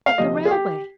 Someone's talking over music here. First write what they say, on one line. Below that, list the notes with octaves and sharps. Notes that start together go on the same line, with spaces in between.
"But the railway!"
F5
D2 C3 F3 D#5
G#4
G4